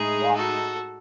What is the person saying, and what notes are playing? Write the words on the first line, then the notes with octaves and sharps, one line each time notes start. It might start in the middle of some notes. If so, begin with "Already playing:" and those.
watching me.
Already playing: A2 G#3 D#4 G#4
F#4 A4